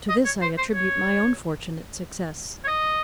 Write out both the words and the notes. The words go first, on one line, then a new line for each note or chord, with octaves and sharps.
To this I attribute my own unfortunate success.
D#5
C#5
C5
C5
C#5
C#5
D#5